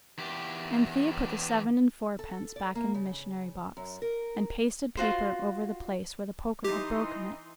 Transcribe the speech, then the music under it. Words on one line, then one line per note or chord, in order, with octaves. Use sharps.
Anthea put the seven-and-fourpence back in the missionary-box, and pasted paper over the place where the poker had broken it.
E2 G4
A4
D5
A#3
C#3
F#2
A#4
F4 F#4 C5
E3 D#4 G4 C6